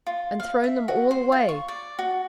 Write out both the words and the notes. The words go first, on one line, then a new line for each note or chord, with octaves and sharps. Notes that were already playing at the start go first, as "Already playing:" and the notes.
'And thrown them all away.
F4
F5
E5
F#4
C5
F4
C#6
D5
F#4